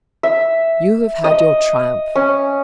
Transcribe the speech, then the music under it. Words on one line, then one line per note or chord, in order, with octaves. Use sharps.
"You have had your triumph."
E5
D#5
C#4